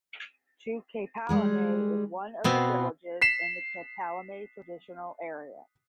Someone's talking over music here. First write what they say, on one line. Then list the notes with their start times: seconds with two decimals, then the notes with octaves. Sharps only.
To Kpalime is one of the villages in the Kpalime Traditional Area.
1.29 G3 G#3 G#4
2.44 B2 B3 C4 F#4 F5
3.22 B6 C7 E7